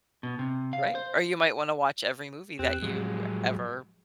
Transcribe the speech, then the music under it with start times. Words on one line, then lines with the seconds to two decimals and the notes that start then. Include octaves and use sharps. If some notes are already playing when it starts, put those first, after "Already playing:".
Right, or you might wanna watch every movie that you ever
0.23 B2
0.39 C3
0.73 F5
0.95 C5
2.59 E2 C4 G4 F#6
2.82 A2 F3 F#3 G#3